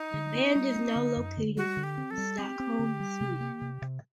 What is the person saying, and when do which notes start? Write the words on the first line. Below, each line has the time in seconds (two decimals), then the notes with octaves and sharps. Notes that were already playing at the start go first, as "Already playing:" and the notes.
The band is now located in Stockholm, Sweden.
Already playing: D#4
0.14 D3
0.35 C4
0.55 G3
0.76 C4
0.96 D3
1.17 F#2
1.37 D3
1.56 G3 F#4
1.77 D3
1.83 G4
1.97 C4
2.11 A4
2.18 G3
2.38 C4 G4
2.59 C4
2.79 D3
3.00 G3
3.20 C3
3.40 A#3
3.61 C3
3.82 C3